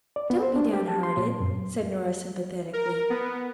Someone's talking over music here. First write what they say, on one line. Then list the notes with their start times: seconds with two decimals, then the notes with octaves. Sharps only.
"Don't be down-hearted," said Nora sympathetically.
0.16 D5
0.30 B3
0.43 C5
0.56 D4
0.73 G4
0.88 A5
1.03 C6
1.17 A#2
1.40 F#2
2.73 A#4
3.10 B3